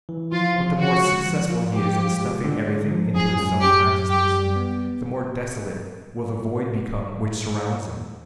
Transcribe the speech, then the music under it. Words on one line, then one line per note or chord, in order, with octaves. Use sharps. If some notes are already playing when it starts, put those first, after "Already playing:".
But the more successful he is in stuffing everything into his self-consciousness, the more desolate will the void become which surrounds him.
E3
F3 F4
F3
D3 F#4
G#3
F3
F4
F3 G4
F4
G#3
D3
G#3
F3
F#2 G#4
F#2
F#2 G4
F#2
G3 G4
G3
B3